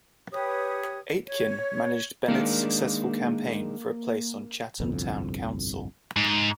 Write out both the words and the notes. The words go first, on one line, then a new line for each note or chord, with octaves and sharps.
Aitken managed Bennett's successful campaign for a place on Chatham Town Council.
G4 B4 C#5 D#6
C#5
D#3 G#3 A#3 D4
G1 C2 F2
G#2